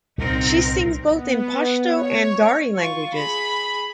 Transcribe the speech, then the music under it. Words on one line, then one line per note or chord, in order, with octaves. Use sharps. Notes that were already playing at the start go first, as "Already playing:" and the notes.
She sings both in Pashto and Dari languages.
C2 A#2 C4 D#4 A#4
B3
C#5
F4 C#6
G#4 B5